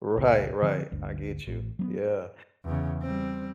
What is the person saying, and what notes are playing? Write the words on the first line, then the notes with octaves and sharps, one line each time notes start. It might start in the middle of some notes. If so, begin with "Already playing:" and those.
Right, right, I get you, yeah,
G1 C#2 A#2
D3 F3 C4
G1 D2
A1
F#3 A#3 B3
E2 C#3
G3 C4